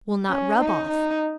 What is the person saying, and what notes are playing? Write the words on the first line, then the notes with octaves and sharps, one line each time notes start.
Will not rub off.
C#4
D#4
D#4